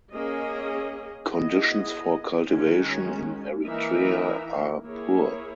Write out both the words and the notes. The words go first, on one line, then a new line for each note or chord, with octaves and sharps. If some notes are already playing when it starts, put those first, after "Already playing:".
Conditions for cultivation in Eritrea are poor.
A#3 C#4 G#4 D#5
B3 E4 G#4 D#5
D#3 G#3 C#4 F#4
E3 A#3 D#4 A#4 E5
A#3 E4 G#4 C#5